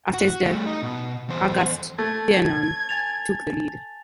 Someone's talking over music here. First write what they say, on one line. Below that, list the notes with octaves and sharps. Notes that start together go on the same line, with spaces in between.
After his death, August Thienemann took the lead.
F#4
G3 A3
D#4
B2
E2 C5
A3 A5 G#6 A6
G#5 A6 F7